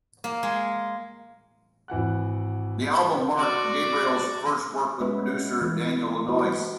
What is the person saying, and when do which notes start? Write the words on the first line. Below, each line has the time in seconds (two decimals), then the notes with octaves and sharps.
The album marked Gabriel's first work with producer Daniel Lanois.
0.24 A#3
0.43 G#3
1.88 G#1 E3 F#5 F#6
3.37 F#4 D5
5.00 G#3 B3 C#4 B4 E5
5.62 E3 A3
6.28 E4 F#4 G4 B4 C5